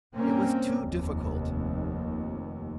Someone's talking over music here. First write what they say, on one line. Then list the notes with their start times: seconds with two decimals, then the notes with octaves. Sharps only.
It was too difficult!
0.14 G2 C3 A#3 C4 C#4
0.83 F1 D#2